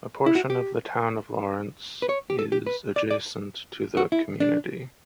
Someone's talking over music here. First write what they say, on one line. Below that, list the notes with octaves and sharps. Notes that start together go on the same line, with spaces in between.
A portion of the Town of Lawrence is adjacent to the community.
E4
F#4
G4
B4
C#5
G4
A4
G4
B4
D5
D5
F#4
E4
D4